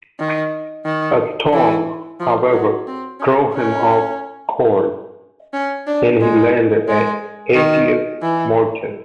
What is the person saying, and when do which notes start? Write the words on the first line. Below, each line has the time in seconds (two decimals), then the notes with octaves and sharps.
A storm, however, drove him off course, and he landed at Aigues-Mortes.
0.19 D#3
0.85 D#3
1.53 E3
2.20 F3
2.52 F#3
2.87 C4
3.19 C#4
3.53 C#4
5.53 C#4
5.87 D4
6.20 G#3
6.88 G#3
7.55 D#3
8.22 E3